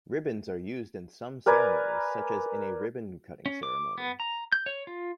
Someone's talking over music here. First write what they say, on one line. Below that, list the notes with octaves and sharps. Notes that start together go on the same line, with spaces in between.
Ribbons are used in some ceremonies, such as in a ribbon cutting ceremony.
A#4 B4 D5 G#5
C#4
D6
B3
A#5
G6
C#5
F4